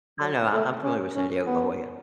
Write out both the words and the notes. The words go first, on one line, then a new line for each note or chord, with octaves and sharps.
I know. I I'm familiar with San Diego, La Jolla.
F#3
A3
C#4
C#4
B3